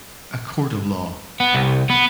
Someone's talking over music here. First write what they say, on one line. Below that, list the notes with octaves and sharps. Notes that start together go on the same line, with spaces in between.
A court of law.
B3
C2
B3